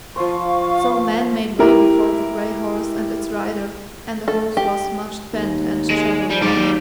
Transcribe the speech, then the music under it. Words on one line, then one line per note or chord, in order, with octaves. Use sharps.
So men made way before the grey horse, and its rider, and the horse was much spent and travel-worn.
F3 C5 F5 C#6
E4 G4 A#4
A4
G4
D#2
G#3
G3
G#2 F#3 D5
D#2